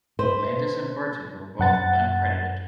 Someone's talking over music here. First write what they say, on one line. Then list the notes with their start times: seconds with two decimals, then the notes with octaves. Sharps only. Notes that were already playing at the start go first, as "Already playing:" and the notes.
Landis and Burton were both uncredited.
0.19 B4 C5
1.59 F#2 F#5 A6